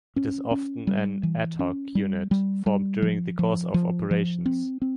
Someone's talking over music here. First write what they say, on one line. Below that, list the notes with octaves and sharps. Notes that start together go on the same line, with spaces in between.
It is often an "ad hoc" unit, formed during the course of operations.
C#4
C#4
G3
E3
C#4
G3
G3
G3
F3
F3
F3
F3
C4
C4